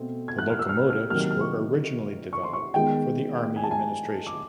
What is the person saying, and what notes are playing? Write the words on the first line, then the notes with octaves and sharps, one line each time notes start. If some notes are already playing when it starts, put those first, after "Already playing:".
The locomotives were originally developed for the army administration.
Already playing: B2 A3 C4
G#6
F#6
F6
E6
F6
F6
C3 D#3 F#3 A#3 F6
F6
F6
C#6
C#6
C6
C#6
D#3 G#3 B3 G5
G#5
A5
G#5
D6